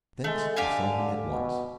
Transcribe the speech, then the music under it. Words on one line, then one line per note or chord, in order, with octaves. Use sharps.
Thence I saw him at once.
G#3 A3
D3 G4 F5 G#5
B2